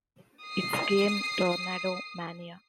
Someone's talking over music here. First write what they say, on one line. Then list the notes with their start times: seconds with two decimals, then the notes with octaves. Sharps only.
Its game Tornado Mania!
0.44 D#6 C7